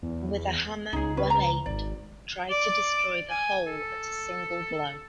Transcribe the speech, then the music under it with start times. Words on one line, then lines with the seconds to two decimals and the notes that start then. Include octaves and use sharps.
With a hammer well-aimed, try to destroy the whole at a single blow.
0.03 E2
0.93 C#2 D#4 G#4
1.17 C#4 B4
1.30 A#5
1.66 G#1 D5
2.51 D5
3.30 G#5
3.67 A4